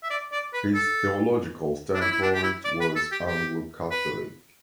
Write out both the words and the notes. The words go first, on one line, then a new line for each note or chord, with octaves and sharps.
His theological standpoint was Anglo-Catholic.
E5
D5
D5
B4
A4
D4
E4
E4
D4
G4
E4
D5
B4
A4
G4
G4
B4